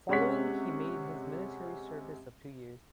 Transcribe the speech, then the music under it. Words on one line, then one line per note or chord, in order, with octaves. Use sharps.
Following he made his military service of two years.
C3 G#3 C#4 C#5 F#5 B6